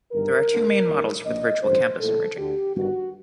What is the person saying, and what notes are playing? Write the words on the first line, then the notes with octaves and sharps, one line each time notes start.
There are two main models for the virtual campus emerging.
G1 G2 D#3 A#4
D2 D3
D#2 D#3
A#1 A#2 D#5
A1 G2 D3 C5
A#1 A2 A4
D2 D3 G4
G1 G2 D#3 F#4